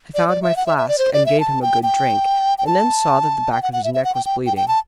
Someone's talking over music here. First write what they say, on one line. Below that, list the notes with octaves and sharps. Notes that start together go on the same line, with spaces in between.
I found my flask, and gave him a good drink, and then saw that the back of his neck was bleeding.
D5
D5
E5
F#5
E5
E5
D5
C5
D5
E5
A5
G5
G5
G5
A5
G5
F#5
F#5
E5
E5
F#5
G5
G5
G5
G5
A5